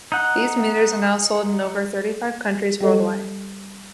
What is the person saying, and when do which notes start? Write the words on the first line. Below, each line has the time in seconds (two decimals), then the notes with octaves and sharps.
These meters are now sold in over thirty-five countries worldwide.
0.12 D#4 F#5
2.81 G3 G4 A4 D#5